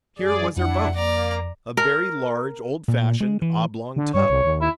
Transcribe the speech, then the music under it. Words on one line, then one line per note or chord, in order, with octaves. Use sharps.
Here was her boat! a very large, old-fashioned, oblong tub.
F#2 G#4 D5
F2 D4 E4 F#5
A#3 D5 A#5
A#4
A#2
G#3
E3
D3
G2 C#5
C2
D#2
E4